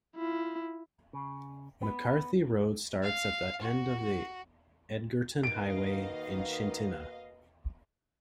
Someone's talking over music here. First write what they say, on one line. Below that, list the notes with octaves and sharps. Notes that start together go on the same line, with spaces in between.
McCarthy Road starts at the end of the Edgerton Highway in Chitina.
E4 F4
C#3
B3
F5
F#4
D#3 A#3 F#4 B4 D#5 F5 D7